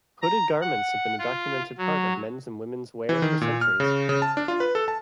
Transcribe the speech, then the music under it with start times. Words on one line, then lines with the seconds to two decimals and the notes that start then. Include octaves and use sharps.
Hooded garments have been a documented part of men's and women's wear for centuries.
0.22 A#5
0.61 F#5
1.18 F4
1.78 F#3
3.09 E3
3.22 D#3
3.41 A#2
3.61 F6
3.80 C#3
4.09 C#3
4.22 A5
4.37 D4
4.48 F4
4.60 B4
4.75 A4
4.88 A5